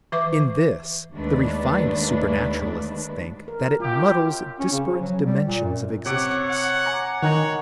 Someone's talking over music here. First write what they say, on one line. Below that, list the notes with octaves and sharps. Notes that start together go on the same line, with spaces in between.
In this the refined supernaturalists think that it muddles disparate dimensions of existence.
E3 B4 E5 D6
D#2 D#3 G#3 A3 D4 B4
A#4
F#2 F4 G4
C#4
C#3
F3
F#3
G3
A#2
F#2
C3 C#5 F#5 D6 D7
F#5
G#5 A#5 D6
D#3 D#4 C#5 F#5